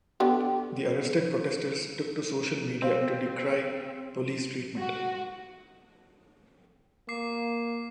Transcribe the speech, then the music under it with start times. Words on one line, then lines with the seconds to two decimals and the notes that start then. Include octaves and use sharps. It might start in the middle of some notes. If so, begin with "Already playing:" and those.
The arrested protesters took to social media to decry police treatment.
0.20 D3 B3 G4
2.82 C4 C5 F5
4.78 F#4
7.09 A#3 D6 C7